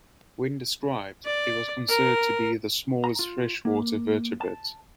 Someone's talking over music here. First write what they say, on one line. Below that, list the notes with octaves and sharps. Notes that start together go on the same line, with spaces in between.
When described, it was considered to be the smallest freshwater vertebrate.
D5
A#4
A#5
F4
A#3
A5